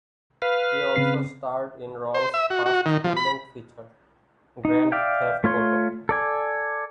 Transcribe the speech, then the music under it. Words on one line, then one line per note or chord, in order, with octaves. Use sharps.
He also starred in Ron's first full length feature, "Grand Theft Auto".
B4 F5
C#3 C4 C7
C5
E5
F#4
F#4
D#3
F3
B5
D#4
D5 E5 F5 G5
A3 F4 C#5 C6
A4 D5 G#5